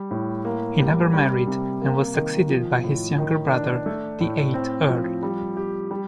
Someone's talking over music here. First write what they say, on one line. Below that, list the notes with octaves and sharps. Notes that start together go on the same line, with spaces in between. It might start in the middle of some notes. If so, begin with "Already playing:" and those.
He never married and was succeeded by his younger brother, the eighth Earl.
Already playing: G3
A2
A#3
G3
G3
C3
A#3
D#3
F3
A2
D#3
D4
A3
A2
C4
F3
G3
G4
G3